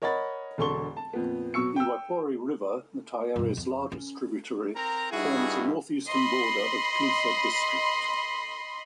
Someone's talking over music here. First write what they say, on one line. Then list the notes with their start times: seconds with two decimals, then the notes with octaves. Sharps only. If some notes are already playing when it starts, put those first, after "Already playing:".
The Waipori River, the Taieri's largest tributary, forms the northeastern border of Clutha District.
0.02 A#4 C#5 D#5 F#5 B5 A6
0.58 E1 D3 A4 C6 C#6 G7
0.97 A5
1.13 F2 A#2 B3
1.54 B2 F#3 C#6 E6 C#7
1.76 G5 E6
3.36 G2 B2
3.57 F2
3.92 C#4
4.76 C4 A#4 A#5
5.12 G2 D#4 E4 F#4 G#4
6.07 D#5 B5 C6